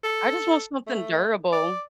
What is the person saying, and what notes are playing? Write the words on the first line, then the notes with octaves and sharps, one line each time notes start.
I just want something durable.
A4
A3
D5